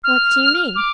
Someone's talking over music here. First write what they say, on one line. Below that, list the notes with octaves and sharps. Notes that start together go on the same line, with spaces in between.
What do you mean?
F6
D6